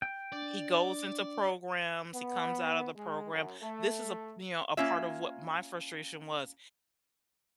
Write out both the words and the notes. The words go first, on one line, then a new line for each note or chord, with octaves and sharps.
He goes into programs. He comes out of the program. This is a, you know, a part of what my frustration was.
G5
D4 D5
B3
G#3
F#2
A3
A#3 C#4 F4 E5